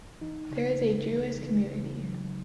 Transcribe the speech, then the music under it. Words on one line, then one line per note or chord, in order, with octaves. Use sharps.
There is a Jewish community.
E3 D#4
C#3
C#3
E3
E3
C#3
F#3